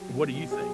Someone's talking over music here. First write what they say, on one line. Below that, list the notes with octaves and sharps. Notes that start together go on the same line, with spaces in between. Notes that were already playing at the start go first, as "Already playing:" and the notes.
What do you think?
Already playing: F#3 G4
B2
B2 G4
G#4
F#3